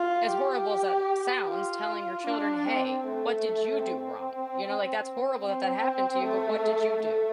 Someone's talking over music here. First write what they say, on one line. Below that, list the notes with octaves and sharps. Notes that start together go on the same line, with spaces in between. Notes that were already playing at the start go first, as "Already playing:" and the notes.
as horrible as that a sounds, telling your children, "Hey, what did you do wrong," you know, like, "That's horrible that that happened to you, but what did you do?"
Already playing: F4
G4
F4
D4
C4
A3
C4
C4
A3
A3